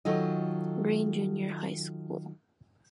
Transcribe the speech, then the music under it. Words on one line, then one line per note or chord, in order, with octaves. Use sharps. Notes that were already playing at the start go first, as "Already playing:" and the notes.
Green Junior High School.
D#3 F#3 F4 A4 D#5